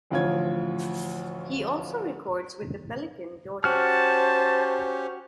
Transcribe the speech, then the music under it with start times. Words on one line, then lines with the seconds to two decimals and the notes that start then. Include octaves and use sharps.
He also records with the Pelican Daughters.
0.10 A1 D2 F3 F4 C#5 G#6
3.64 C#4 F#4 G4 C5 A5 F6